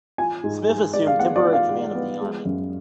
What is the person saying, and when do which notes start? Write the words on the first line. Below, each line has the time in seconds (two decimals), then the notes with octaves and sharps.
Smith assumed temporary command of the army.
0.18 F4 G#5
0.44 G#2
0.69 G#3
0.94 G#3 D5
1.07 F5
1.19 B3 F#5
1.36 D5
1.45 F4
1.53 F5
1.70 G#3
1.95 B3
2.20 G#3
2.45 F#2